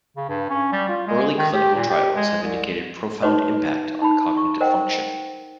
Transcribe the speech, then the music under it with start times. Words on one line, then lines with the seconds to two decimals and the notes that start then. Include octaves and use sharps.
Early clinical trials have indicated profound impact on cognitive function.
0.17 C#3
0.29 G2
0.50 C#4
0.72 G3
0.89 F4
1.07 G#3
1.38 D#3
1.54 G4
1.76 A#2
1.90 G4
2.16 G#3
2.43 C2
3.22 D#4 F#4 B4 C#5 D#5
4.02 D#4 B5
4.37 C#6
4.60 A#4 C5 D#5 F#5 G5